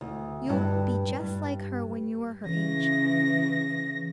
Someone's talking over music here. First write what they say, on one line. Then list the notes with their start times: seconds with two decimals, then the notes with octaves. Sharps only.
You'll be just like her when you are her age.'
0.01 D2
0.49 G2
1.20 G2
2.43 C#3 E3 A#6